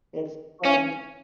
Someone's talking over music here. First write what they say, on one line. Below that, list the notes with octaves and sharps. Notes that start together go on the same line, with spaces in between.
It's the friends.
C#4